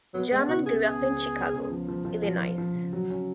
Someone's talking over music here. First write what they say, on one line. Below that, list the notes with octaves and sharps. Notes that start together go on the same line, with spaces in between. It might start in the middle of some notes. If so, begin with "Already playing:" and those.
Jarman grew up in Chicago, Illinois.
F#3 B3
G#3 B3
C#3 F#4
C#2 G#4
B3 G#4
C#2
B3
C#2
C#2
F3
F3
F3
F3
F3
F3
C#3
F#3
C#4